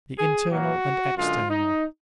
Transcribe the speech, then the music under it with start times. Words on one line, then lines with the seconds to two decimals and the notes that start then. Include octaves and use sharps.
The Internal and External.
0.17 G#4
0.50 A#2 F#3 A#3 F#4
1.17 F#2 D3 G#3 F4
1.50 D#4